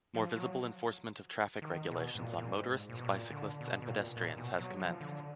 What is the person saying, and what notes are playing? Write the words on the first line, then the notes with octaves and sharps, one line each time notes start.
More visible enforcement of traffic regulations on motorists, bicyclists, and pedestrians has commenced.
F3
F#3
D#3
B2
G#2
A#2
A#2
G#2
A#2
B2
A#2
D3
B2
B2
A#2
A#2
B2
F#3
F3
D3